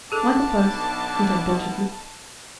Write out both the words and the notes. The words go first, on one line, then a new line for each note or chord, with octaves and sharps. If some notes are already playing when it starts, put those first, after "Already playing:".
"Michael first," he said doggedly.
B1 B2 D4 G#4 A4 A5